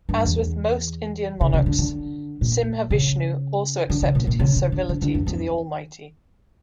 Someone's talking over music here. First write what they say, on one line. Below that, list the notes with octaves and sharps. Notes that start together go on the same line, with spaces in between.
As with most Indian monarchs, Simhavishnu also accepted his servility to the Almighty.
G2
E2
C#3
C#3
D3
D3
A#2
C#3
D3
C#3
A#2
A#2
C#3
C#3
D3
D3
D3
E2
F2